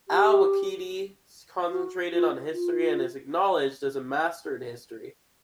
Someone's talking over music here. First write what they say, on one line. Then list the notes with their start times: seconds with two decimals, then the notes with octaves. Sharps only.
Al-Waqidi concentrated on history and is acknowledged as a master in history.
0.09 G4
1.71 F#4
2.13 F4
2.53 F4